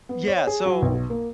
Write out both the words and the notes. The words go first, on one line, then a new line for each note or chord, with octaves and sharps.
Yeah, so
B3
C#5
G#4
F#3
B1
A#3